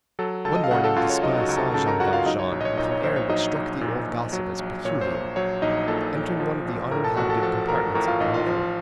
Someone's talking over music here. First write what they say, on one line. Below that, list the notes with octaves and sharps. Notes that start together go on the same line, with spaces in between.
One morning, this spy saw Jean Valjean, with an air which struck the old gossip as peculiar, entering one of the uninhabited compartments of the hovel.
F#3 A4 A5
C#2 A4 A5
D#5
F5
C#3 F#4 F#5
A4 A5
C#2 F4 F5
C#5
F#3 D#4 D#5
F#4 F#5
C#2 A#5
A4 A5
C#3 A4 A5
A#4 A#5
C#2 F#4 F#5
F4 F5
F#3 D#4 D#5
C#5
A#1
D#5
C#5
A#2 D#4 D#5
C#5
A#1 C5
C#5
F#3 D#4 D#5
A#1
A#2
A#1
F#3
A#1
A#2 C#5
C5
A#1
F#3 C#5
A#1 D#4 D#5
A#2 A4 A5
A#1
F3
A1
A2 A#4 A#5
A4 A5
A1 F#4 F#5
A4 A5
F3 A4 A5
A1 A#4 A#5
A2 A#4 A#5
F4 F5
A1 D#4 D#5
F4 F5
F3